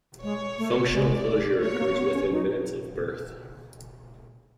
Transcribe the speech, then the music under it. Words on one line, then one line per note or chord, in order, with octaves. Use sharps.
Functional closure occurs within minutes of birth.
G#3 C#5
A3
G#3 D5
A3 C#5
B3
A#3
B3
C#4
D#4